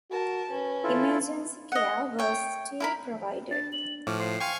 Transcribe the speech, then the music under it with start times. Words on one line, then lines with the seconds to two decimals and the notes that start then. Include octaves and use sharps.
Emergency care was still provided.
0.11 F#4 A#4 A5
0.51 C#4 B4
0.84 E4 F4 A4
1.72 D#5 F#5
2.19 C#5 G5
2.80 E4 A#4 B5
3.51 D4 A6
3.73 F#7
4.07 A2 F3 F4 C#6 D6 F6
4.20 C5 C7
4.40 F5 G5 G#5 C6 C#6